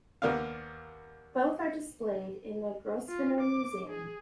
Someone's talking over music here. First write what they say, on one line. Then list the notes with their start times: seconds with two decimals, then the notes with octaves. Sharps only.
Both are displayed in the Grosvenor Museum.
0.22 D#2 A#3 B3 D4 F5
3.09 F4
3.41 D6
3.90 G#4